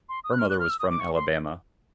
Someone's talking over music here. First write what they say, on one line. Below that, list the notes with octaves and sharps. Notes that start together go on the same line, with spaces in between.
Her mother was from Alabama.
C6
D#6
F#6
F6
F#6
F6
E6
D#6
D6
C#6
C6